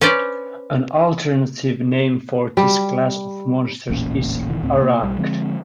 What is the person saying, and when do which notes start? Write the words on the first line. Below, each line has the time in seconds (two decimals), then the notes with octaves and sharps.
An alternative name for this class of monsters is Arrachd.
0.01 C#4 B4 C5 D5
2.57 G3
3.90 E1 A1 A#2 C#4
4.48 F1 B2 D#3 E3
4.62 C#2 A2 C4
4.81 B2 A#3
5.02 B1 G3
5.18 D3 F3 G#3 C4